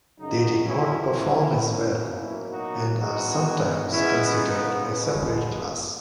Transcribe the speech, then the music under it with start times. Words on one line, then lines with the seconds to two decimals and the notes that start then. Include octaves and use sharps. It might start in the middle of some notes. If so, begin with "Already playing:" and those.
They did not perform as well, and are sometimes considered a separate class.
0.19 F#2 C#3 F#3 D#4
0.65 C#4 E4
1.12 B2 A#3 C#4 E4
2.04 B2 F#3 A#3 C#4 E4
2.51 D#4 F#4
2.98 E2 B2 G#3 B3 D#4 F#4
3.91 C#3 G#3 B3 C#4 E4
4.37 D#4
4.84 B2 G#3 B3 C#4